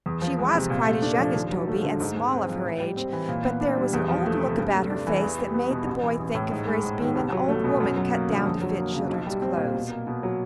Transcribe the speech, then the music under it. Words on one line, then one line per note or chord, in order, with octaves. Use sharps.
She was quite as young as Toby, and small of her age; but there was an old look about her face that made the boy think of her as being an old woman cut down to fit children's clothes.
E2
F3
G#3
C3
A#2
A3
D4
F3
D#2
F#3
A3
D3
G#2
G#3
C4
F3
A2
G3
C4
E3
A#2
B3
D4
G3
E2
F3
A3
C3
G2
A3
D4
E3
E2
G3
B3
B2
A1
E3
A1
A2
G#2
G#3
G#2
D#3
C2
F#3
A3
B2
F#2
F#3
A#3
D3
F2
F#3
A#3
C#3
B1
G3
C4
A#2
B2
A#3
B2
F#3